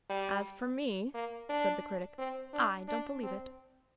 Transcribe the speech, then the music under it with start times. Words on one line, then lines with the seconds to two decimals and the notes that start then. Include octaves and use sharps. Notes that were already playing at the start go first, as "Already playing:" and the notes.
"As for me," said the Critic, "I don't believe it."
0.09 G3
1.14 A#3
1.49 D4
2.19 C4
2.53 D4
2.88 D4
3.23 C4